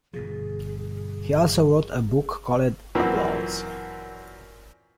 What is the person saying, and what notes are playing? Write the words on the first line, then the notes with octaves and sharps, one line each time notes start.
He also wrote a book called "Applause".
G1 B2 F3 G#4
F#2 A#2 E3 F3 A#3 C4